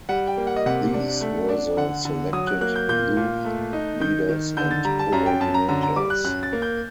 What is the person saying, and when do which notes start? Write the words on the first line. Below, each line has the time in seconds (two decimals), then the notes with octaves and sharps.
These were the selected youth leaders and coordinators.
0.09 G3 F#5
0.27 G5
0.38 A#3
0.47 F#5
0.56 D#5
0.66 C3 F#5
0.93 D4
1.21 A3
1.49 D4
1.77 D3 F#5
2.05 D3
2.33 F#3 D#6
2.47 F#6
2.61 A#3 F#6
2.76 G6
2.89 A#2 G6
3.17 A#2
3.45 A3
3.73 D#4
4.00 D#3 G6
4.29 D#3
4.57 D3 G6
4.71 A6
4.85 G3 A#5
4.99 A5
5.12 F#2 A#5
5.26 G5
5.40 F#2 A5
5.54 A#5
5.69 D3 A#5
5.83 A#5
5.96 G3 D6
6.10 F#6
6.24 F#2 F#6
6.43 A6
6.53 A#3
6.62 G6